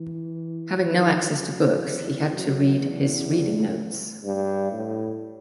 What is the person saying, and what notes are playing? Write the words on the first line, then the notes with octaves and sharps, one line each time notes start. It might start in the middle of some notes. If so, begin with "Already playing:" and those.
Having no access to books, he had to read his reading notes.
Already playing: E3
D#3
F#2
E2
F#2
E2
G2
A2